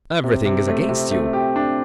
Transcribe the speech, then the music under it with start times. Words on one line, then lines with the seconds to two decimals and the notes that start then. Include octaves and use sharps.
Everything is against you.
0.24 C3 C4
0.45 C3
0.67 A3
0.89 C3
1.11 A3
1.33 G4
1.56 D4